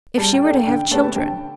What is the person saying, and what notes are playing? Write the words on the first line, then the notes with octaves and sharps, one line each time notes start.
If she were to have children!
G3 A5
G5
D4 A4
G5
D3 G5
A3 C#4 G4 B4 A5
D3 G5